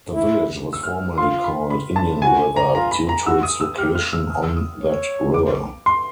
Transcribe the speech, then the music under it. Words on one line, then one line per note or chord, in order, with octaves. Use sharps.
The village was formerly called "Indian River" due to its location on that river.
E4
E6
F6
F4 C6
B5
B5
A5
F#4 G#5
A#5
F4 A#5
B5
A#5
F#4 E6
D#6
E6
G4 F6
F6
E6
D#6
E6
D#6
C#5
D6
C6